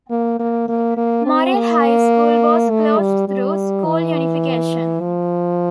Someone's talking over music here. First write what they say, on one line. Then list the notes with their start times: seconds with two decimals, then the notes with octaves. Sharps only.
Morrill High School was closed through school unification.
0.10 A#3
0.39 A#3
0.68 A#3
0.97 A#3
1.26 C4
1.54 A#3
2.70 A3
2.99 G3
3.28 G3
3.85 E3
5.00 F3